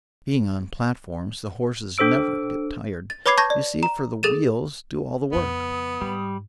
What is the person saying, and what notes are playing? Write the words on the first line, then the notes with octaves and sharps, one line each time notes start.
"Being on platforms, the horses never get tired, you see, for the wheels do all the work."
D4 A4 C5 E6 D7
A6
B4 C#5 B5 D6 G#6 C7
A5 C#6 G6 G#6 A#6
D5
A#5
G#4 A4 A6 D#7 E7
F2 C#3 B3 D#6
G#2 G3